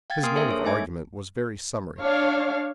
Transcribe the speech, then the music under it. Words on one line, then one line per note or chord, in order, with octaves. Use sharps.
His mode of argument was very summary.
F5 G5 G#6 A6
A#3 A#4 G#5 C6 D#6 F6
D4 G#4 A#4 C5 E5
A4 C#5
A3 D#4 E5 G#5 G#6
D4 C#5 F5